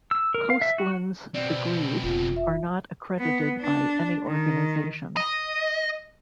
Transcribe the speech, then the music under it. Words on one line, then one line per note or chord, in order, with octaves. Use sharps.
Coastland's degrees are not accredited by any organization.
E6
A#4
F5
E5
F#4
B2 C4 D5
F1 F4
E5
B3
D4
D#3
D#5